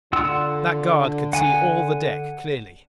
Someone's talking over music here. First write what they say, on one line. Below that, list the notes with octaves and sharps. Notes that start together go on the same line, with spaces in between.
That guard could see all the deck clearly.
D3 F4 F#5 E6
F#5 G#5